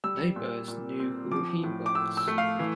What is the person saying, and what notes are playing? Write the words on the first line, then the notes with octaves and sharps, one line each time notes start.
Neighbors knew who he was.
G3 E6
A#2
A#2
C4
F3 D6
A2
D6
A2 E6
E6
A3
F5
E3